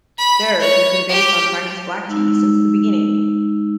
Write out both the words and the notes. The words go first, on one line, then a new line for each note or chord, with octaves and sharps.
Theirs has been based on Chinese black tea since the beginning.
B5
C#5
G4
G#3 D#4 E6